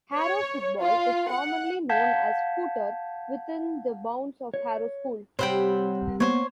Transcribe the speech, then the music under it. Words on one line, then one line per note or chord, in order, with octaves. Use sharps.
Harrow football is commonly known as footer within the bounds of Harrow School.
C#5
F4
F#5
F5 F#5 A5 G6 G#6 B6
C#5
C3 G3 C5 C#5 F#5 G5 B5
A#3 B3 C5 C#5